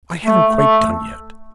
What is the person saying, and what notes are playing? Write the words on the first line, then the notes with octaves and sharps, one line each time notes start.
I haven't quite done yet.
A3
A3